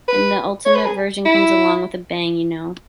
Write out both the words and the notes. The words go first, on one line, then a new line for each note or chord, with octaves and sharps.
And the ultimate version comes along with a bang, you know.
B4
C#5
B4
G#4
E4